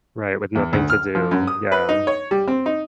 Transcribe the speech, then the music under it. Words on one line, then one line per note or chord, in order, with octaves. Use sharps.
Right, with nothing to do. Yeah.
E2
D2
F6
F3
F#2
D#6
B4
D#4
C#5
G3
C4
D#4